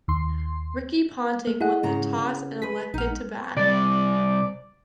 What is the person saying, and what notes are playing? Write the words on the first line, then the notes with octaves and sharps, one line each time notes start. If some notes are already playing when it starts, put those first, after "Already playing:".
Ricky Ponting won the toss and elected to bat.
D#2 C6
A#3
E4 G#4 D#5 F#5
G#2 C#3 A#5
C#3
G#4 B4 B6
A#1 D#4 F#5 F6
C3 G3 D5